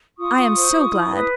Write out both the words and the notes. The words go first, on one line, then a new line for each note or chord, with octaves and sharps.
I am so glad.
F4 C#6 D#6
F4
C5
F4
E4
B4
D#6